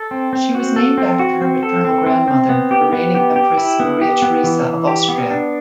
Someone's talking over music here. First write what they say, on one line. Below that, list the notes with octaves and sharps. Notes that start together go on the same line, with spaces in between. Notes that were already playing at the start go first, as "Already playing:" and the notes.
She was named after her maternal grandmother, the reigning Empress Maria Theresa of Austria.
Already playing: A4
C4
C4
F#4
A4
C4
F#4
C4
A4
C4
C4
C4
B3
G4
B3
G4
G4
E4
B3
G4
B3
E3
E3
G4
B3
D4